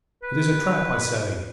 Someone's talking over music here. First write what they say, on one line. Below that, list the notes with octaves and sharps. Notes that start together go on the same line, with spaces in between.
It is a trap, I say.
B4